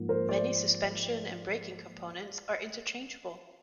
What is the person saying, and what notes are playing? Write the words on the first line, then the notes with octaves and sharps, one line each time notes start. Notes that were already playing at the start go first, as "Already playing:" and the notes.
Many suspension and braking components are interchangeable.
Already playing: G#2 F3 A#3
A#4 C5
C5 D5